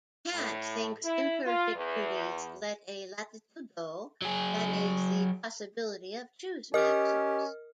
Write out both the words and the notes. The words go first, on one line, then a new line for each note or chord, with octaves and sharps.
Kant thinks imperfect duties let a "latitudo": that is, the possibility of choose maxims.
A2
E4
F4
E2
F#3 G#4
C#4 G4 A#4 D#5 F6